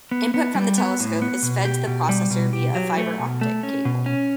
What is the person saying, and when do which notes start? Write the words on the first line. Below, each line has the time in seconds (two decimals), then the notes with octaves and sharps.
Input from the telescope is fed to the processor via a fiber optic cable.
0.11 B3
0.34 B3
0.55 G3
0.78 B3
1.00 A2
1.22 B3
1.43 B2
1.65 G4
1.87 B2
2.09 G3
2.30 B2
2.53 G4
2.75 F#3
2.97 A3
3.19 B2
3.41 A3
3.63 C#4
3.85 B2
4.06 C#4